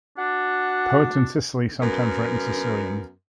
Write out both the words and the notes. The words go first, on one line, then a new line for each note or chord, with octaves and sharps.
Poets in Sicily sometimes write in Sicilian.
D4 F#4 F#5
F#2 B3 A#4